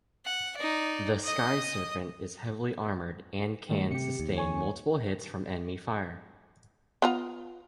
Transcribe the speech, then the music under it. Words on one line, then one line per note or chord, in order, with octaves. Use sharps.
The Sky Serpent is heavily armored and can sustain multiple hits from enemy fire.
F#5
D#4 D5
D#5 D#6
D#3 G3 A3
C3 G4 C#7
D#2
C#5 G#5 C#6
B3 F4 A#5